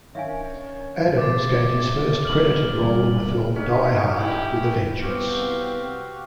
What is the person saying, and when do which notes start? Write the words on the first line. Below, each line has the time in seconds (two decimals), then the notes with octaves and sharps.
Adams gained his first credited role in the film "Die Hard with a Vengeance".
0.15 D#3 C#4 D4 C#5 E5 F5 G#5
1.18 E5 C6 D6 A6
2.25 C#2 D#3 F6 F#7
2.82 G2 C3 E4 G#4
3.56 D3 C#4 D#4
4.18 E4 G4 G#4
5.01 C2 B3 C4 F#4 G4 F5